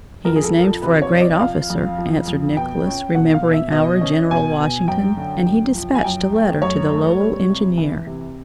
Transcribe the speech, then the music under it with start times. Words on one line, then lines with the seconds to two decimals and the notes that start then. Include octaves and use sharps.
"He is named for a great officer," answered Nicolas, remembering our General Washington, and he dispatched a letter to the Lowell engineer.
0.25 F2 A#4
0.36 G#4
0.44 A4
0.54 F3 A#4
0.64 A4
0.82 C3 B4
1.02 C#5
1.12 F2
1.17 D#5
1.21 D5
1.40 F3 F5
1.70 F2
1.98 F3
2.27 F2
2.57 B2 G5
2.85 C#4
3.15 B2 F#5
3.34 F5
3.43 B2
3.53 E5
3.72 B2 D#5
4.01 C#4
4.30 B2 G#5
4.59 B2
4.88 F#2 G5
5.17 D3
5.46 F#2
5.75 F3
5.95 G#5
6.04 F#2 G5
6.33 A3
6.62 F#2 C#5
6.91 A3
7.20 G3
7.50 C3
7.78 E3
8.06 C3